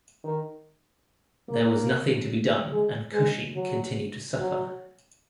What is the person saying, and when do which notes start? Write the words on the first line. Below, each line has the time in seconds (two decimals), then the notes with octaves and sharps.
There was nothing to be done and Cushing continued to suffer.
0.24 D#3
1.49 A#3
2.72 G#3
3.13 G#3
3.55 F#3
4.39 F#3